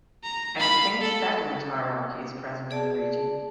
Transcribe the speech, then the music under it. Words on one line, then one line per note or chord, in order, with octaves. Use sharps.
A distinct settlement hierarchy is present in the region.
A#5
F5 B5
A4
G#4 D5 A5